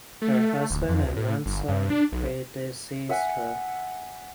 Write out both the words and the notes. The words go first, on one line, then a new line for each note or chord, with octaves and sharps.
Her husband and one son predeceased her.
A3
D1
F2
C#2
A2
G1
G2
D4
B1
E5 F#5 G#5